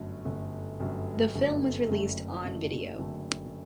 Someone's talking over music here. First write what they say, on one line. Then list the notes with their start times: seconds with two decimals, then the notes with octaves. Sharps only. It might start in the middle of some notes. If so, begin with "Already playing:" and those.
The film was released on video.
Already playing: G1 F#2 D3 A3
0.25 G1 F#2 D3 A3
0.80 G1 F#2 D3 A3
1.35 G1 F#2 D3 A3
1.89 F#1 F#2 D3 A3
2.44 F#1 F#2 D3 A3
2.98 F#1 F#2 D3 A3